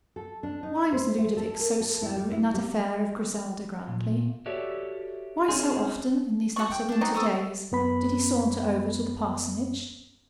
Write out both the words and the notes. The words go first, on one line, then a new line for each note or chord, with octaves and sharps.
Why was Ludovic so slow in that affair of Griselda Grantly? why so often in these latter winter days did he saunter over to the parsonage?
A4
D4
D#4
C5
E5
A4
A#4
A4
E4
G3
E4
G3
A#2
F#4 G4 A4 C#5 D5 E5
C4 C#4 D#4 G#4
F#4 D5 C#6
G5
D4 A5
C4 D#4 F#4
A4 C#6 D#6
F#2 B3 B5